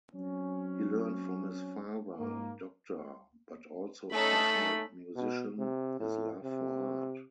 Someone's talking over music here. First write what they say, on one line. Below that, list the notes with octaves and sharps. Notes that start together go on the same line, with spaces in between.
He learnt from his father, doctor but also passionate musician, his love for art.
F#3 C4 C#4
G#2 A#3
A3 C#4 D#4 A4 B5
B2
C3
A2
C3